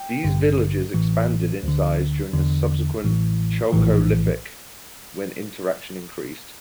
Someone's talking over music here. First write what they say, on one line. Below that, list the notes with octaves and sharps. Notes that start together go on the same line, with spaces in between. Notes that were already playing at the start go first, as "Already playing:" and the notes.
These villages expanded in size during the subsequent Chalcolithic, when interaction increased.
Already playing: G5
A1 G2 D3
A1 A2 E3
D2 D3
E2 D3
A1 A2 E3
A#1 A2 E3